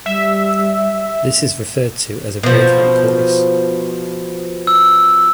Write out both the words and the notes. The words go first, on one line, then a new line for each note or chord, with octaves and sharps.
This is referred to as a breakout chorus.
G3 E5
B2 F3
E6